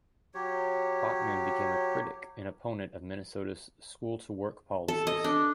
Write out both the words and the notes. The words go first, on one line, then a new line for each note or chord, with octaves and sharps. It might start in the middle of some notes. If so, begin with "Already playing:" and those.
Bachmann became a critic and opponent of Minnesota's School-to-Work policies.
F#3 G4 C#5
A4
D#5
D4